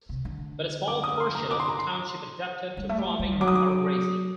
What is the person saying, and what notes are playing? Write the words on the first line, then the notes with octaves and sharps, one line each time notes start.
But a Small portion of the Township adapted to farming or grazing.
C3
D3
D6
D#6
C6
A#5
D6
C6
A#5
C6
G3
A3
G3
G3
D#3
F#3 D6
D#6
D6